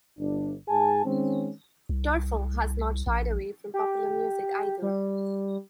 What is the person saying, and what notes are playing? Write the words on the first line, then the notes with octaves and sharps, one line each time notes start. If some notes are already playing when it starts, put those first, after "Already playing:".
Terfel has not shied away from popular music either.
G1 D4
G#2 G#4 G#5 A5
D#3 G#3 C4 C#4
C2
A#1
G4
G3